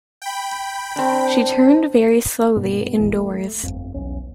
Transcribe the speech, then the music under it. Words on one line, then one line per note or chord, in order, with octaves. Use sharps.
She turned very slowly indoors.
G5 B5
C4 D4
G2 B2 A#3
G3 B3
D#1 G#1 A2 E3
A3
G1 F2
B1 E2 C#4